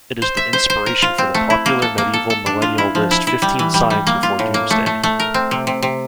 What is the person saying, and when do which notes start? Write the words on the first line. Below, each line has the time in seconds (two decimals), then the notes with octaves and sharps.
It is the inspiration for the popular medieval millennial list Fifteen Signs before Doomsday.
0.22 C5
0.37 E5
0.53 C5
0.70 C5
0.86 A#4
1.02 F4
1.18 C4
1.34 A3
1.50 E4
1.66 A#3
1.82 A4
1.98 A#3
2.13 A4
2.30 A4
2.46 D4
2.62 F4
2.78 E4
2.95 F3
3.11 E4
3.27 E4
3.42 G3
3.59 E3
3.74 G3
3.90 G3
4.07 A#3
4.23 F4
4.39 A2
4.54 A#3
4.71 A3
4.86 A3
5.03 A3
5.20 A#4
5.34 C4
5.51 C3
5.67 C3
5.83 C3